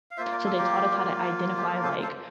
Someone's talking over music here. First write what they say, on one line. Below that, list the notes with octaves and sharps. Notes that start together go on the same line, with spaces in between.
So they taught us how to identify, like,
F5
A#3 F4 C5 E5
A#4 D5
A4
G4 A#4
G4
A4
A#4
A4 C5
A4 C5